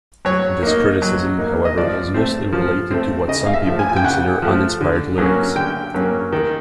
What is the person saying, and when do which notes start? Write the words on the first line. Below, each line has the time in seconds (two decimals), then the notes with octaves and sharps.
This criticism, however, is mostly related to what some people consider "uninspired lyrics".
0.25 F#3 C#5
0.63 A#3 D#4
1.02 F#3
1.38 A#3 D#4
1.65 D#5
1.78 F3 D5
2.14 A3 C4
2.52 F3
2.91 A3 C4
3.28 C#3 D#5
3.46 F5
3.54 E5
3.66 F3 A3
3.79 G#5
3.89 G#5
3.96 G5
4.04 C#3 F#5
4.42 F3 A3
4.81 D3
5.18 F#3 A#3 C#4
5.55 D3 G5
5.94 F#3 A#3 C#4
6.32 D#3